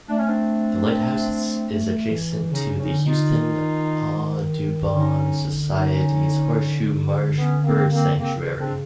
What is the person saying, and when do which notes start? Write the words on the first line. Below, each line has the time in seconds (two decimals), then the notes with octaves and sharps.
The lighthouse is adjacent to the Houston Audubon Society's Horseshoe Marsh Bird Sanctuary.
0.08 A3 D4
0.18 C#4
0.26 C4 D4
1.70 A3
2.10 E3
2.50 C#3 C#4 D#4
2.77 C#4 D#4
2.91 D3
3.05 D#4 F4
3.32 D#3
4.94 D3 C#4 D#4
5.74 C#4 D#4
7.37 B3 C#4
7.63 A#3 C4
7.91 A#3 C4
8.17 C#3 A#3 C4
8.58 C#3 C4 D4